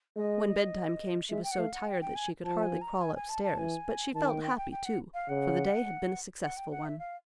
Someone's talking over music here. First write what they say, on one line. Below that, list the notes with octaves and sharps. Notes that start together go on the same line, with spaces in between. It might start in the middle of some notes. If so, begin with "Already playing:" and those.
When bedtime came she was so tired that she could hardly crawl upstairs; but she felt happy too, for the day had been a successful one.
G#3 D#5
G#3 E5
G5
F#5
A3 F5
F#5
G5
G5
G#5
F3 A5
G#5
A#5
G#5
G#5
A5
A5
E3 G#5
D#3 A5
G5
G5
G5
G5
F#5
F5
C#3 F#5
F#5
G5
F#5
E5
F5